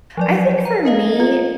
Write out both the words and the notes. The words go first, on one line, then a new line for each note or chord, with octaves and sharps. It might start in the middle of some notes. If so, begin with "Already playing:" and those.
I think for me,
F3 F#3 D5
A#5
A#4 D#5 F5
F4